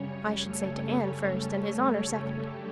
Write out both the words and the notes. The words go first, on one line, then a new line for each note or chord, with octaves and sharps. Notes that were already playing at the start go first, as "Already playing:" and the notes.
I should say to Ann first and His Honor second.
Already playing: F#2 C#3 G3 C#4 C#5
A3 A4
G2 D3 F#3 G4